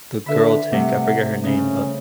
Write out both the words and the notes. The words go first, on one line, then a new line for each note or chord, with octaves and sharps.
the girl tank, I forget her name, but,
D3 B4 E5 B5
C3 G3 A3 F#5
C#3 C#4